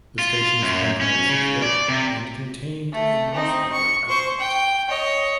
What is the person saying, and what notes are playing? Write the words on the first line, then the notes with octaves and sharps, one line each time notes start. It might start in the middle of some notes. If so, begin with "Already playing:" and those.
The station's penthouse is yellow and contained a newspaper outlet.
F4
F#2
C#4
C#3
D5
C3
A3
C4 D#4
C#6
C5 C#6
G5
C#5 D#5